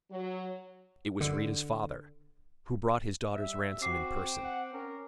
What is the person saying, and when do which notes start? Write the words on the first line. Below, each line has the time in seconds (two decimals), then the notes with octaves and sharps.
It was Rita's father, who brought his daughter's ransom in person.
0.10 F#3
1.21 D3
3.34 G3 E5
3.82 C4 F#4 D6 C7
4.44 F#5
4.74 C#4 A#4